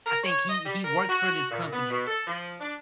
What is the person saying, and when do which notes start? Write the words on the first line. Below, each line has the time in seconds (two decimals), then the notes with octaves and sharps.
I think he he worked for this company,
0.06 A#4
0.24 C#5
0.49 D#5
0.65 G3
0.84 A#4
1.09 F#4
1.51 A#2
1.73 B3
1.90 B2
2.07 A4
2.27 F3
2.60 D4